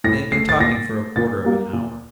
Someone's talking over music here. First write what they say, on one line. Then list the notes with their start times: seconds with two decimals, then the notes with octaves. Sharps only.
They had been talking for a quarter of an hour.
0.04 A2 A#6
0.32 A3 C7
0.49 A6
0.60 A#2 A#6
0.89 A3
1.16 A#2 A6
1.44 G3 A#3
1.73 A#2